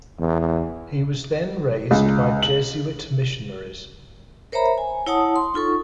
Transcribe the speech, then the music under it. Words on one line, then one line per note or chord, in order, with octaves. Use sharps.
He was then raised by Jesuit missionaries.
E2
C#2
F#7
A#4 C5 C#5 E5 A#5 B5
G#5
E4 C#5 F#5 A5 D#6
C6
D#4 F4 A4 C#6